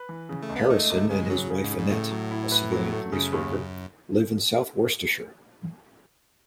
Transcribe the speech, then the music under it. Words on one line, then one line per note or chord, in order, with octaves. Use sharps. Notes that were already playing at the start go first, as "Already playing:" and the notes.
Harrison and his wife Annette, a civilian police worker, live in south Worcestershire.
Already playing: B4
E3
C#3
A3
C#2
B3
A3 D#4
C#2
C#3 G#3
C#3 F#3
C#3
G#2
C#3
G#2
A2 A3
F#3
E4
B4
F#3
A3
F#2 C#3
D#2